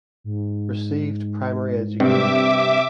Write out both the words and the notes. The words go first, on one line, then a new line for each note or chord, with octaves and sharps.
Received primary education.
G#2
G2 C3 E5 D6